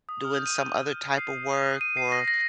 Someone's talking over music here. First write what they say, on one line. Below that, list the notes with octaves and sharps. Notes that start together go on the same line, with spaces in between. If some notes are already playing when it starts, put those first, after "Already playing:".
doing some other type of work or,
D#6
F6
G6
D#7
C7
D#7
C7
A#6
A#6